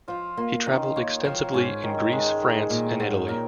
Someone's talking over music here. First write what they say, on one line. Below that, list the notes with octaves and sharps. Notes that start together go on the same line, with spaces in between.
He travelled extensively in Greece, France and Italy.
F3 F4
A#3 F4
D#3 C#4
A#3 C#5
F3 A#4
G#2 C#4
D#3
G#3
D#3
A#2 A#4
G#2 C#5
A#2 A#4